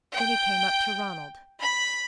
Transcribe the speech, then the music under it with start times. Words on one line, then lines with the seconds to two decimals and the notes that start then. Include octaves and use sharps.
Then he came up to Ronald.
0.15 G5
1.61 B5